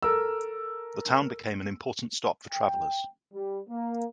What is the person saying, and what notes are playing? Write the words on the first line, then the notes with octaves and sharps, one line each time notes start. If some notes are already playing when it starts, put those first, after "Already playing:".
The town became an important stop for travellers.
A4 A#4 E6
G5
G3
A#3